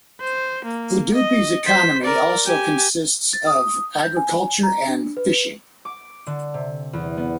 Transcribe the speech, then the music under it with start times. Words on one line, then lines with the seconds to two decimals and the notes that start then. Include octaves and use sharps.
Udupi's economy also consists of agriculture and fishing.
0.21 C5
0.65 A#3
1.15 D#5
1.66 C5 B6
2.04 A#4 D5
2.46 G4 G#5
3.33 A6
3.47 D#6
4.03 G6
4.17 G#5
4.63 A#5
4.88 D4
5.17 B4
5.85 D6
6.27 D3
6.54 C3
6.93 E2
7.17 B3